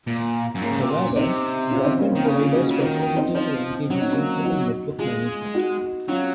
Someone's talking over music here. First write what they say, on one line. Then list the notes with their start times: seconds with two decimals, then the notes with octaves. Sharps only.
However, broadband providers were permitted to engage in reasonable network management.
0.07 A#2
0.55 F#2
0.61 G#2 A#3 C#4
0.71 C#3
0.81 C3
0.89 A#2
1.09 C#4
1.16 C3 C4 D#4
1.71 C#4 F4
1.84 C4 D#4
1.99 A#3 C#4
2.12 D#3 A#3
2.25 C#3 A#3 C#4
2.39 C#4 F4
2.53 D#4 F#4
2.67 C#3 C#4 F4
2.80 D#3 D#4 F#4
3.16 C4 D#4
3.35 F3 C4 D#4
3.90 F#3 C#4
4.01 D#4
4.12 A#3 C#4
4.44 D#4 F#4
4.99 G#3 F4 G#4
5.54 D#4 F#4
6.09 F#3 C#4 F4